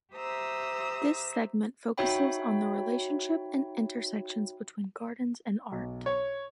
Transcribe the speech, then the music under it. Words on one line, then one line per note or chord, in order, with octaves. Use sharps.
This segment focuses on the relationship and intersections between gardens and art.
G4 C5 E5 A#5 D#6 E6
D#4 F#4 C#5 E5 G5 B5
B1
C#5